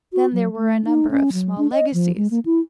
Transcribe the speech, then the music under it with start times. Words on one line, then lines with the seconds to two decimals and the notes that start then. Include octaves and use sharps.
Then there were a number of small legacies.
0.13 F#4
0.33 F#3
0.56 A3
0.85 D#4
1.11 C#4
1.33 F#3
1.58 D4
1.72 D#5
1.93 F3
2.17 G#3
2.31 A#3
2.46 E4